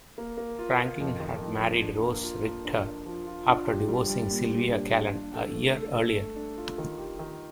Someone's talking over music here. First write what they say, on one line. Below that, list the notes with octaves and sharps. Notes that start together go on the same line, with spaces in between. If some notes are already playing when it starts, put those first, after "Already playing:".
Franklin had married Rose Richter after divorcing Sylvia Calen a year earlier.
A#3
A#3
F4
F4
F2
D#3
F2
F2
D4
A#3
F4
A#3
D4
D4
F3
F4
D4
G4
G3
G3
A#2
A#2
D4
D4
D4
A4
A3
A4
A4
A3
D4
F4
D#3
G4
D#3